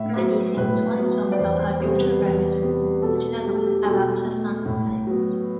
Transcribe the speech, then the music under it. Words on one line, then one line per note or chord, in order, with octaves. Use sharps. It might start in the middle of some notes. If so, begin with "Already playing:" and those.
Maddy sings one song about her daughter Rose, and another about her son Alex.
Already playing: A2 E5
F#3 B3 C5
A2 B4
F#3 B3
D5
E2 C5
C5
C3 G3 B3 C5
B4
E2
C3 G3 B3
B2 A4
A3 G4
A4
G4
B2 A4
A3
A2
F#3 B3